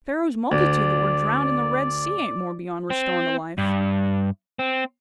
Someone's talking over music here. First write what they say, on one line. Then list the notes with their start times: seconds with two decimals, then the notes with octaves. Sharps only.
Pharaoh's multitude that were drowned in the Red Sea, ain't more beyond restoring to life.
0.52 D2 D5
2.90 C4
3.58 G2
4.59 C4